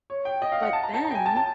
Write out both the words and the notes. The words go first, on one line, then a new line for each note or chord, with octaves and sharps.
But then,
C#5
G5
D#5
F5
F#5
A5
A#5
A5
A#5
G5
G#5
A5
A5